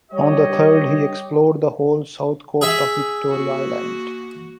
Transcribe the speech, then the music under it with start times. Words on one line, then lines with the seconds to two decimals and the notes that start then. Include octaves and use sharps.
On the third he explored the whole south coast of Victoria Island.
0.12 G3 G4 C#5 D#5
2.61 G#4 E5
3.29 A#3 F#4